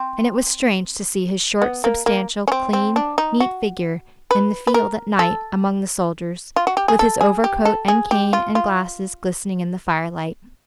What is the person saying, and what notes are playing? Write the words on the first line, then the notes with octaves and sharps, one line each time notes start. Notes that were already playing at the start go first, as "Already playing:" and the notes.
And it was strange to see his short, substantial, clean, neat figure in the field at night among the soldiers, with his overcoat and cane and glasses glistening in the firelight.
Already playing: C4
B3
A#3
A#3
C#4
C4
C4
D4
D#4
F#4
B4
B4
A#4
A4
F4
F#4
G4
G#4
A4
G#4
G4
A4
G#4
G4
F4
F4